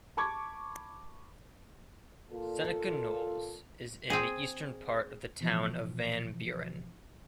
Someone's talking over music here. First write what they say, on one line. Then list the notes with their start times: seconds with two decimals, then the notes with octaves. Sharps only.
Seneca Knolls is in the eastern part of the town of Van Buren.
0.17 A5 B5 C#6 D6 G#6
2.31 A#2 F4 A4
4.10 C4 G#4
5.41 B2 E3 F3